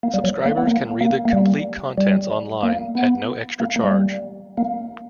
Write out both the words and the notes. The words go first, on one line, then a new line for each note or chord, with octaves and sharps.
Subscribers can read the complete contents online at no extra charge.
A#3
G3
F#3
A#3
B3
A#3
A#3
A#3
G3
G3
A#3
B3
A#3
A#3
G3
A#3